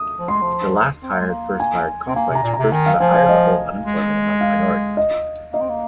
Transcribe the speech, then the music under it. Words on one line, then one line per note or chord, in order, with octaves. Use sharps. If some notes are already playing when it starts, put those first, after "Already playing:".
The "last-hired, first-fired complex" refers to the higher level of unemployment among minorities.
Already playing: D#6
F3
G#3 C6
F3
C4
A#3
G#3
A#3
G#5
C4
A#3 G#5
C3
A#5
A#2
A#5
C3
D#3 G#5
F5
F3 G#5
F5
D#5
G#3
F5
D#5
A#3 D#5
C4
A#3